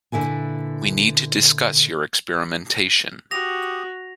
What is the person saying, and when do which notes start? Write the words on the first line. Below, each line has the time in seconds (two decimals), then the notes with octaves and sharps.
We need to discuss your experimentation.
0.12 A#2 D3 E4 B4 G#5
3.31 F#4 G4 D#6 A#6 F7